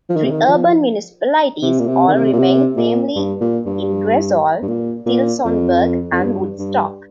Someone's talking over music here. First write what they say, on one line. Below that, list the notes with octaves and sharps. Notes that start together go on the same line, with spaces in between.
Three urban municipalities also remained, namely Ingersoll, Tillsonburg and Woodstock.
F3
D#3
C3
D#3
F3
C3
A#2
C3
D#3
C3
A#2
C3
A#2
G2
A#2
G2
G2
A#2
A#2
F2
F2
G2
G2